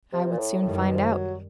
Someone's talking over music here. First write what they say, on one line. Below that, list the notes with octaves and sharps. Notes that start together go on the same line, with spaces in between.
I would soon find out.
C3
A#2
A2
F#2 A2 D#3 G3
B2
F3
F#3